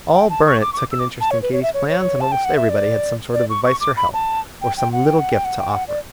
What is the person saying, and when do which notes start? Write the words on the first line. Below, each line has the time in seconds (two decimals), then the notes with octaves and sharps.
All Burnet took an interest in Katy's plans, and almost everybody had some sort of advice or help, or some little gift to offer.
0.14 G5
0.30 A5
0.46 C#6
0.61 D6
0.73 C#6
0.77 D6
0.91 E6
0.99 D6
1.20 A5
1.31 C#5
1.42 B4
1.52 C#5
1.62 E5
1.74 C#5
1.89 C#5
2.20 A5
2.32 G5
2.45 F#5
2.56 E5
2.69 D5
3.34 D5
3.50 C#6
3.65 C#6
3.80 D6
3.97 B5
4.14 A5
4.61 G5
4.77 G5
4.92 F#5
5.06 G5
5.18 F#5
5.32 G5
5.45 F#5
5.59 G5
5.72 F#5
5.88 D5